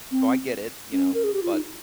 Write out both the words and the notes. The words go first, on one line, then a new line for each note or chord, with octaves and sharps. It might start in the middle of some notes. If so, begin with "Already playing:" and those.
so I get it, you know, but,
C4
C#4
A#4
G#4
G4
F4
D#4